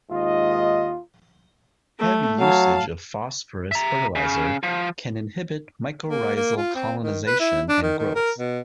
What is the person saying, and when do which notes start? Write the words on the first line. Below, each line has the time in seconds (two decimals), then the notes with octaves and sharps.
Heavy usage of phosphorus fertilizer can inhibit mycorrhizal colonization and growth.
0.11 D#2 G#2 F4 D#5
1.99 A3
2.39 F#3 F5 A5
3.72 E5 A#5
4.16 C#3
4.63 F3
6.09 A#3
6.35 A#3
6.57 F4
6.76 C4
7.01 D#3
7.27 B4
7.40 E4
7.69 D4
7.83 D#3
7.98 D#3
8.16 A#4
8.38 B2